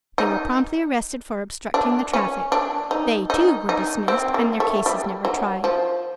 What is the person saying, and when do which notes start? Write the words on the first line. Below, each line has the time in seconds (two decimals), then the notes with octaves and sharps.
They were promptly arrested for "obstructing the traffic." They, too, were dismissed and their cases never tried.
0.18 D#4
1.74 D4
2.13 C#4
2.52 D4
2.91 D#4
3.30 D#4
3.69 D#4
4.08 C4
4.34 A#3
4.60 A3
4.86 G3
5.25 F#3
5.64 F3